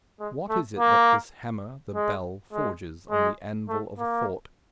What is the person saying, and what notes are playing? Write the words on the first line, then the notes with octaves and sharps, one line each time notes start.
What is it that this hammer, the bell, forges on the anvil of thought?
G#3
A3
A#3
G#3
G#3
G#3
A3
A#3